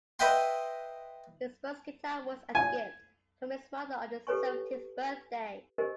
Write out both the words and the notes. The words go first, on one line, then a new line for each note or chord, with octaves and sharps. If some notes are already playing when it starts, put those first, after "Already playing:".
His first guitar was a gift from his mother on his seventeenth birthday.
B4 D#5 E5 F#5 G5 C6
G#5
G4 A4 B4 C#5 G#5 C#6
G4 A#4 C5 D#5 G#5